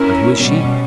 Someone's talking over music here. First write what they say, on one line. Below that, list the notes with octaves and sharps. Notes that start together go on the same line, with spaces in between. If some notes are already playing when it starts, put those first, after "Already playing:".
"And who is she?"
Already playing: C#4 E4 A#4
B2 G3 C#4